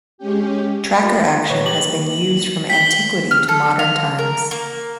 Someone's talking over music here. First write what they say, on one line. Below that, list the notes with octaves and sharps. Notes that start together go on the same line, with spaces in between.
Tracker action has been used from antiquity to modern times.
G#3 C#4 G4
G3 F4 A#4
A#2 B4 C#5
G4 B4 F#7
A#3
G5 B6 G7
F6
A4
F5
A#4
A#3